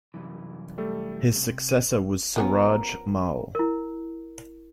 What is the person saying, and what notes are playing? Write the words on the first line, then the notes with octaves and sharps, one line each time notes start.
His successor was Suraj Mal.
C2 F#2 E3
G3 A3 A4
C3
D#7
F3 B3 C#4 A#4
E4 A#4